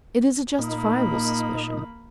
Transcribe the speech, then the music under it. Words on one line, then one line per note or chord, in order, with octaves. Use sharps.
It is a justifiable suspicion.
A#2 A#3 D#4 B5